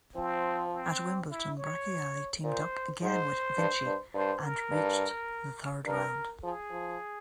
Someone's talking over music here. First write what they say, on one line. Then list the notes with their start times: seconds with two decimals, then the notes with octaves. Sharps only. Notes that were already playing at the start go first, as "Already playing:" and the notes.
At Wimbledon, Bracciali teamed up again with Vinci and reached the third round.
0.15 F3 C4
0.73 C4
1.30 E4
1.58 C#5
2.43 A#2 C5
3.01 G#2 C5
3.58 G2
3.85 G2
4.14 G2 C5
4.43 A#4
4.71 G2
5.85 G2 A#4
6.43 F3 G#4
6.71 F3